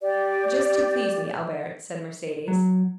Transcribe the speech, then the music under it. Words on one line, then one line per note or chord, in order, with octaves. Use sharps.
"Just to please me, Albert," said Mercedes.
G4 D5
F#3